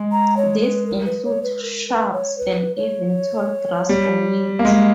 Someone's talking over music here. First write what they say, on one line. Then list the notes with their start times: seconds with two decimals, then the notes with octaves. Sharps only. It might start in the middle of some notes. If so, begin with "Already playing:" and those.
This includes shrubs and even tall grass or weeds.
Already playing: G#3
0.12 A#5
0.37 C#5
0.61 B4
0.86 A#4
1.06 B4
1.25 C#5
1.43 B4
1.63 A#4
1.88 B4
2.13 C#5
2.38 B4
2.76 C#5
3.89 G3
4.59 A#3
4.65 G#3 D#5